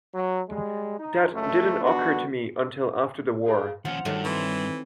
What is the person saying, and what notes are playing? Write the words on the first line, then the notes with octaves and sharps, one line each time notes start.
That didn't occur to me until after the war.
F#3
G3 G#3
D#4
C#2 F#2 A3
B3 D4 F#4
G#4 F5
D#2 F3 C#4 F#5
G2 D#3 F#3 A3
D#3 E3 C4